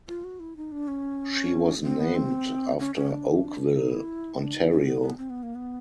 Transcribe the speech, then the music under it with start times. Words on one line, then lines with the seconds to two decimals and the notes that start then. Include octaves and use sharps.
She was named after Oakville, Ontario.
0.08 F4
0.24 F#4
0.40 E4
0.57 D#4
0.72 D4
0.88 C#4
1.83 C4
2.00 B3
2.15 C4
2.79 C#4
2.95 C#4
3.11 D4
3.75 D#4
3.90 E4
4.39 D4
4.54 D#4
4.70 C#4
4.86 B3
5.02 B3
5.18 C4
5.30 B3
5.43 A#3
5.55 B3